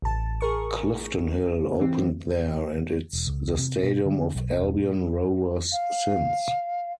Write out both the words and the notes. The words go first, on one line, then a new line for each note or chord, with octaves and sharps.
Cliftonhill opened there and its the stadium of Albion Rovers since.
A1 A5
G#4 A#4 C#6
E3 C4
E1
C#2
C3
B2
D3
B1
E1
A#2
F5